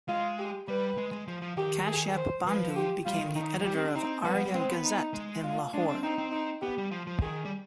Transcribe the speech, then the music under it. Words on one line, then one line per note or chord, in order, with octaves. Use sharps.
Kashyap Bandhu became the editor of Arya Gazette in Lahore.
G#3 F4
G4
G3 B4
G#3
G#3
F3
F3
D#3 G4
G#4
C5
F3 B4
G4
G3 F4
D#3
D#3 D#4
F3
G3 G4
C4
D4
C4 D#4
G3 B3
F3
G3
G#3 C4
B3
D#4
G#3
F4
G#3 D4
C4
C4 D#4
C4
D#4
B3 G4
G3
F3
F3
D#3 G#4
G3